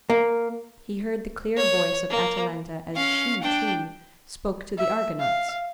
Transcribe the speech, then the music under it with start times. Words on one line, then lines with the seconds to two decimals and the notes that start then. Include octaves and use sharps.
He heard the clear voice of Atalanta as she, too, spoke to the Argonauts.
0.10 A#3
1.57 C#5
2.10 A#3
2.95 C#4 F5
3.42 D4 G5
4.78 E5
5.20 F5